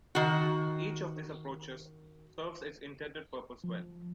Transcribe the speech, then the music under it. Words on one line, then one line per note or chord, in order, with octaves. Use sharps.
Each of these approaches serves its intended purpose well.
D#3 F#4
F3